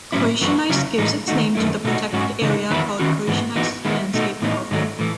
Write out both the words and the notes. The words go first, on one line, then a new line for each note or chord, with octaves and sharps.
Kozienice gives its name to the protected area called Kozienice Landscape Park.
A2 F#3 C#4 E4
F#2 E3 B3 F#4
C#3 F#3 C#4 E4
A2 E3 G#3 D#4
D#3 A3 D#4 F#4
F#2 D#3 A3 E4
B2 A3 D#4 F#4
G#2 F#3 C#4 F#4
C#3 E3 G#3 D#4
E2 D#3 F#3 B3 E4
D#3 F#3 C#4 F#4
G#2 E3 B3
E3 B3 D#4 F#4
D#3 G#3 B3 E4
B2 A3 D#4 F#4
A2 E3 B3 D#4
G#2 D#3 F#3 A3
A2 E3